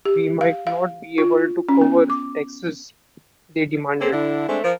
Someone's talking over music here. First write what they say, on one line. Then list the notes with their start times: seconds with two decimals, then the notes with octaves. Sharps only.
We might not be able to cover the taxes they demanded.
0.05 G4
0.41 F5
0.67 F5
1.18 F4
1.69 C#4
1.81 B3
2.10 D6
4.01 A#3 C4 C#4 A4
4.12 D3 E4
4.49 G#3 A3 C4 D4
4.64 F3 A#4